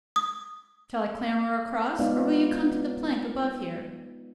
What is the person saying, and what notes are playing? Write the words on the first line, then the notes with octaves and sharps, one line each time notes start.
"Shall I clamber across, or will you come to the plank above here?"
D#6
G#3 B3 D#4 F4 D5 F5